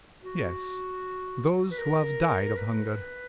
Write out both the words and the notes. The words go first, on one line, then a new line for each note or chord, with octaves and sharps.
"Yes; those who have died of hunger."
F#4
B4
A#4
A#4
B4